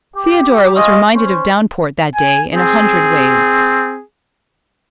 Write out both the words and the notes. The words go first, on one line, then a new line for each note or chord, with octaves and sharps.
Theodora was reminded of Downport that day, in a hundred ways.
G4
G#3 C#4 F4 D#5
C#4 C5
G#5
C4 G#4